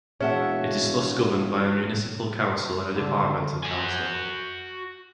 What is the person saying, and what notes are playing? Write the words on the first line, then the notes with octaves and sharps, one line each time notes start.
It is thus governed by a municipal council and a departmental council.
E1 A#2 C#4 G#4 C#5 E5 F#5 A5
D3
F#4 G#5